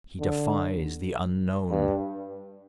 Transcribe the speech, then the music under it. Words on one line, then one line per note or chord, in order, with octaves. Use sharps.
He defies the Unknown.
D3
G2